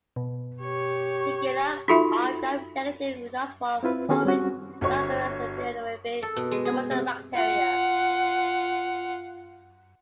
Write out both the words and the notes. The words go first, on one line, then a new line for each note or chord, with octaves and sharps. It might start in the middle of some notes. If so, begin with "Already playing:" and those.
Shigellae are Gram-negative, nonspore-forming, facultatively anaerobic, nonmotile bacteria.
B2
G4 C#5
D#4 F4 F#4 A4 E5 B5
C4 E4 F4 B4
D#3 B3 C#4 F#4 G#4 A4
G3 C4 C#4 F#4
G1 F#4 C#5 C#6
A4
B2
G#3
G#4
C3
F4 F#5